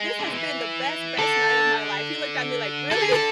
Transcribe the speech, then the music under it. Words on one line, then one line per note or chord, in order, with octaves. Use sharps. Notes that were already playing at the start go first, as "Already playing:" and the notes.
this has been the best, best night of my life!" he looked at me like, "Really?"
Already playing: G#3
D3
E3
D3 A4
D3 A4
G#4
A4